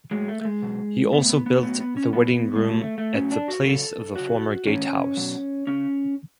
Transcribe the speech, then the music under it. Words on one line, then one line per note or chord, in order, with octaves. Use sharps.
He also built the wedding room at the place of the former gatehouse.
A2 F#3 G#3
A3
A3
G#3
B2 F#3
A2 E3 B3
B3
B3
A2 F#3 B3
B3
C#4
B2 F#3 B3
G#3
B2 F#3 A3
A3
A3
A2 F#3 C#4
D4
F#4
C#3 F#3 A4
C#3 F#3 F#4
A2 E3 C#4
B2 F#3
C#3 C#4